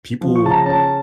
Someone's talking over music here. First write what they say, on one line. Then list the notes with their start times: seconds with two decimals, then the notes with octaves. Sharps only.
people t
0.21 F3
0.35 C#6
0.43 C#3 A5
0.51 A#5
0.66 C#4 A5